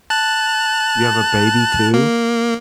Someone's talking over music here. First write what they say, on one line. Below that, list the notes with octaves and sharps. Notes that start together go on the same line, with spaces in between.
You have a baby too?
A5 F#6
A#3